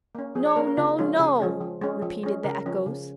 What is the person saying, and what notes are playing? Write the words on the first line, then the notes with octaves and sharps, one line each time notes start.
'No, No, No!' repeated the echoes.
A#3 C#4
F3 G#4
C#5
A#3 C#4 A#4
A#4
C#3 F4
F3 G#3 C#4 F4
C#3 G#4
F3 G#3 C#4
F3
G#3 C#4
F3
G#3 C#4
C#3 A#4
F3 C#4
C#3